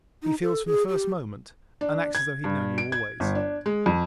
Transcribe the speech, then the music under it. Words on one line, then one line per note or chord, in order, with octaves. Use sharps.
He feels from the first moment, and acts, as though he had known you always.
D#4
A4
G#4
G4
D4
G#6
G2
D7
G#6
G1
D4
G#3
F2